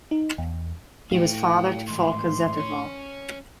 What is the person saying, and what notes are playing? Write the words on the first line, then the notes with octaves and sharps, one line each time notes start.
He was father to Folke Zettervall.
D#4
E2
A2 F5 G5
G#2 E3 C6
C#4 C#5